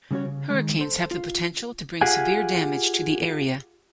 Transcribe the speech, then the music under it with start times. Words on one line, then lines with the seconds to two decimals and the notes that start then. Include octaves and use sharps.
Hurricanes have the potential to bring severe damage to the area.
0.11 C#3 G3 C#4 F#4 C#5
0.25 C#3
0.50 D#3 G#3
0.79 A4 C5
1.11 F4
2.01 F4 G4 G#4 F#5 G#5